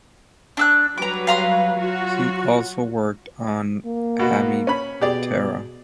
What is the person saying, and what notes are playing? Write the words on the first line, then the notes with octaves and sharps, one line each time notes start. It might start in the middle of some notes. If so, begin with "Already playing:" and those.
He also worked on Hemiptera.
D4 E6 F#6
F#3 G3 B4 A#5 D6
F5 A#5 C6
F#3 F4 F#4
A#3
B2 F#4
C#4 B5
B2 G4 G#4 D5